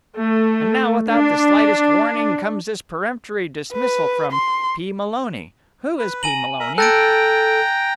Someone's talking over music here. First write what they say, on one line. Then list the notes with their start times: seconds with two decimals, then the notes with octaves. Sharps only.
And now, without the slightest warning, comes this peremptory dismissal from P. Maloney. Who is P. Maloney?
0.14 A3
1.10 D4
3.73 B4
4.32 C6
5.98 B4
6.23 G#5 A#5 D#7 F#7
6.60 A#4 E5 A#5
6.78 A4 G5 A#5 F#6 A6 D7